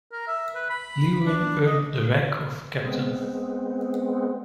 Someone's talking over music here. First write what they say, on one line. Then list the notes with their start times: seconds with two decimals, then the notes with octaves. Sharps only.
Lewin earned the rank of captain.
0.12 A#4
0.28 E5
0.55 B4
0.70 B5
1.26 D4
1.66 D#5
2.84 G#3 B3 C4